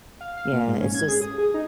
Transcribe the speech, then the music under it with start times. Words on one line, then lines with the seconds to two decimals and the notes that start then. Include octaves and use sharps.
Yeah, it's just
0.21 F5
0.37 F5
0.53 A#2
0.67 G#2
0.81 C#4
0.94 G#6
1.08 G#4
1.21 D#6
1.38 G#4
1.54 D#4